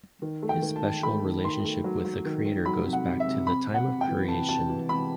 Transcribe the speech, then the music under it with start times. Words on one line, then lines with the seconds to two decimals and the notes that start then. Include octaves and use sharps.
His special relationship with the Creator goes back to the time of creation.
0.22 D#3
0.42 A3
0.49 G5
0.62 D#3
0.76 A5
0.83 D#3
1.03 A3 B5
1.24 D#3
1.44 D#3 C6
1.64 A3
1.84 F#3
2.05 F#3
2.25 D#3
2.46 D#3
2.65 F#3 B5
2.86 C3
2.93 F#5
3.06 C3
3.20 E5
3.27 C3
3.47 C3 B5
3.67 C3
3.74 F#5
3.87 C3
4.01 G5
4.08 E3
4.28 C3 A5
4.48 C3 A5
4.69 E3
4.89 C3 B5